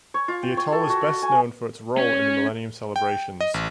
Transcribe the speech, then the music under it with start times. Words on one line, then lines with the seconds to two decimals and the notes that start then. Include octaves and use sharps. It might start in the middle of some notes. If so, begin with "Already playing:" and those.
The atoll is best known for its role in the millennium celebrations.
0.14 C#5
0.28 F4
0.43 G5
0.57 C#5
0.72 A4
0.90 F#4
1.07 F#5
1.22 G#5
1.98 C#4
2.96 G5
3.41 D#5
3.54 A1